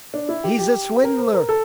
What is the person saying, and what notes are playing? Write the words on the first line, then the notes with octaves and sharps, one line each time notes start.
"He's a swindler!"
D4
E4
G4
G4
A#4
C5
A#4
A4